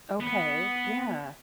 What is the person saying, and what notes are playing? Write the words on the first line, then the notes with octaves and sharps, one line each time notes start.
Okay, yeah.
B3